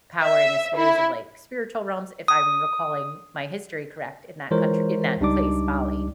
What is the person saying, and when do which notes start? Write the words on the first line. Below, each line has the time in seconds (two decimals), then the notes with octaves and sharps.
power in the spheres of, like, spiritual realms, if I'm recalling my history correct in that country in that place- Bali.
0.22 E5
0.77 E4
2.28 D#6
4.51 E3 G#3 F4 A#4 C5 C#5
5.20 C#2 G3 D4 D#4 D5 D6